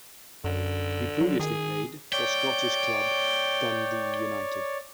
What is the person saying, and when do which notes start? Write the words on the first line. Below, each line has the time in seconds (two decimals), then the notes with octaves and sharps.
He previously played for Scottish club Dundee United.
0.44 F#2 D3
1.21 F#3
1.39 D#3 G#4
2.13 C#5 D5 G5